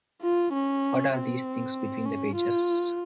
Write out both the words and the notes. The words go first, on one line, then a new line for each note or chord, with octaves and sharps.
What are these things between the pages?
F4
C#4
C4
C#4
F4